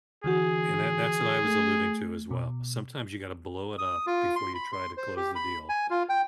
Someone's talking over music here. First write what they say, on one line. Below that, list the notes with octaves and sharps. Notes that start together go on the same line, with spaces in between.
And that that's what I was alluding to as well. Sometimes you gotta blow it up before you try to close the deal
D3 E3 F#4 G#4
A3
B2
D#6
F4
C6
B5
C6
C5
G4
B5
G#5
F4
G5